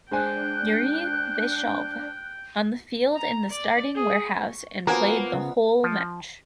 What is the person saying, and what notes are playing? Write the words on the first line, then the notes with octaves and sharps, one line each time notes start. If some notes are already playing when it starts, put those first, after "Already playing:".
Yuriy viyshov on the field in the starting warehouse and played the whole match.
G#3 D4 C5 G5 G#5 F#6
A#5
D5
G#4
C#6
F3 A#3 B3 F#4 F#5 G#5 A#5
C#3
F3